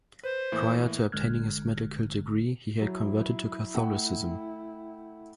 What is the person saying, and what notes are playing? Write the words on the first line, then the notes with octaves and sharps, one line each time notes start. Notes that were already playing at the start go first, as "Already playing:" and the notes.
Prior to obtaining his medical degree, he had converted to Catholicism.
B4 C5
A2 E3 A#3
G1 D3 G#3 F6 F#6 G#6
F#3 E4
A3 F#5 G5